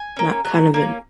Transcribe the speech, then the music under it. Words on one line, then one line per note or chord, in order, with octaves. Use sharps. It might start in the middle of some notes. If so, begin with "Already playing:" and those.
Matt Canavan.
Already playing: G#5
A#3 C#4
F#3
A#3 C#4